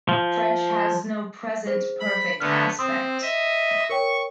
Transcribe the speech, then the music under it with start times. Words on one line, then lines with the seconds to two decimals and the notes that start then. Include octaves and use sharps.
French has no present perfect aspect.
0.09 F3
1.66 G#4 C5
2.00 B5
2.40 D3 A3 B3 F6
2.79 C4 C6 D#6 E6
3.22 D#5 E5
3.90 A#4 C#5 G5 C#6